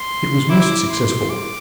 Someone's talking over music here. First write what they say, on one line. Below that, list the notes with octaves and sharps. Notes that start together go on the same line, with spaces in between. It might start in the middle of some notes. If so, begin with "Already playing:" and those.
It was most successful.
Already playing: C6
E4 D6
C6
D6